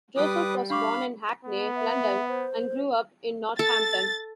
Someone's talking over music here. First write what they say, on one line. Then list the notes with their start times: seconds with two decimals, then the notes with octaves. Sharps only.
Joseph was born in Hackney, London and grew up in Northampton.
0.17 G3 B4 D6 D#6
0.70 D4 F5 B5 C#6 D6
1.45 B3
1.76 E5
2.28 C5
3.59 A4 A6